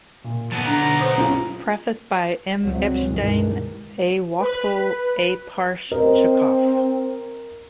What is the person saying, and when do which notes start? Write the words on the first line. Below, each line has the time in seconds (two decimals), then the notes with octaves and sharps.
Preface by M. Epshtein, A. Wachtel, A. Parshchikov.
0.24 A#2
0.52 F#3 B3 A5
0.67 D3 A#5
1.01 C5 D#6
1.18 B1 C#4 F4
2.62 C#2 F#3 G3 C4
3.04 G2 B2 D#3 E3 G#3
4.40 B4
5.91 C4 A#4 D#5